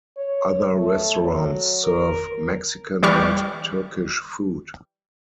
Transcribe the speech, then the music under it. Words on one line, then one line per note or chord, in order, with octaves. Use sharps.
Other restaurants serve Mexican and Turkish food.
C#5
A3
F#3
A#4
E3 G3 G4 C#6 F6